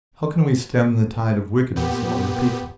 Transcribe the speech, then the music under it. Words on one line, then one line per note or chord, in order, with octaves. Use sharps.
How can we stem the tide of wickedness among the people?
A#2 B3 G4